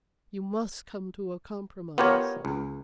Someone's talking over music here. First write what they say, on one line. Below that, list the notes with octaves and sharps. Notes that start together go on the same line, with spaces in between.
You must come to a compromise.
B3 F4 G4 A#4 C#5
C#2